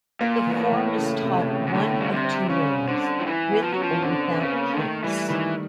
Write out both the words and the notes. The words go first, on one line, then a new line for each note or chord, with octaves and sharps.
The form is taught one of two ways: with or without kicks.
A#2 A#3
G#2 E3
A2
E3
C#3
C3
C#3
G#2
A2 D3
C#3 G3
C3
C4
C#3 C#4
D3 C4
F3
E3
B3
F3
F#3 C#4
F3
D3 C4
B3
C#3
A#3
D3
D#3 A3
E3 G3
D#3 E3